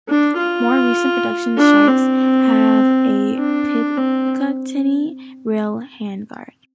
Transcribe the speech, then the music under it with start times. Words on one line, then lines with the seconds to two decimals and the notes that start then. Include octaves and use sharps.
More recent production Shrikes have a Picatinny rail handguard.
0.08 D4
0.38 F4
1.57 D4
1.88 C4
3.38 D4
3.97 C4